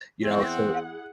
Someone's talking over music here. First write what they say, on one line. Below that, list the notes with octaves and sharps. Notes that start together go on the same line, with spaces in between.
you know? So
E2 C4 E4 G#4 F#5